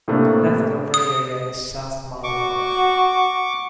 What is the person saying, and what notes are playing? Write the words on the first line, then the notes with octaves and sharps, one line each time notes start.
Left-over area is South Malabar.
A2 C3 A3 A#3 D4
D#6
F#4 C#6 D6